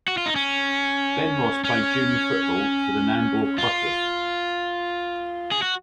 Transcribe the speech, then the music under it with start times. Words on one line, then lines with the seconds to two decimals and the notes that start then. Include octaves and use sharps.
Ben Ross played junior football for the Nambour Crushers.
0.08 F#4
0.18 F4
0.26 D#4
0.36 C#4
1.64 C#4
3.58 F4
5.52 G#4
5.62 F#4